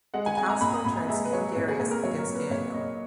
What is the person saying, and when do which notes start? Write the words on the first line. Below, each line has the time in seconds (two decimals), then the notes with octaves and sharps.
The counsellor turns King Darius against Daniel.
0.14 G#3 F#5
0.26 G#5
0.37 G#3 G#5
0.50 A#5
0.61 A#2 B5
0.73 D#6
0.84 A#2 B5
0.97 A#5
1.08 G#3 E5
1.25 B4
1.32 G#3 C#5
1.55 A#2 B4
1.68 G#4
1.79 A#2 G#4
1.91 A#4
2.03 F#3 C#5
2.19 A#4
2.26 A#2
2.35 B4
2.50 A#2 C#5
2.74 A#2 D#5